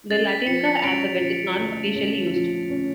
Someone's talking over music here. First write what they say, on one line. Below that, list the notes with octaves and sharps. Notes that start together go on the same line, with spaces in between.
The Latynka alphabet is not officially used.
C#4 A6
B6
F3 C#7
C#7
F7
C#4 D7
F3
A3
C#4
F3
C#4